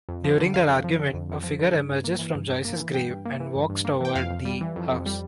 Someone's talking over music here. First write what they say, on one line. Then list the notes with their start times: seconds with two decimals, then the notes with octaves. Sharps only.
During their argument, a figure emerges from Joyce's grave and walks toward the house.
0.09 F2
0.24 F3
0.39 D3
0.54 F2 F5
0.69 F2
0.84 F3
0.99 D3
1.14 F2
1.29 F2
1.44 F3
1.59 D3
1.75 G2
1.89 G2
2.04 A#3
2.19 E3
2.35 G2
2.49 G2
2.65 A#3
2.80 E3
2.94 G2 G5
3.10 G2
3.26 A#3
3.40 E3
3.55 G2
3.70 G2
3.85 A#3
4.00 E3 G5
4.15 F2 F5
4.30 F2
4.45 G3
4.61 E3
4.76 F2
4.91 F2
5.06 G3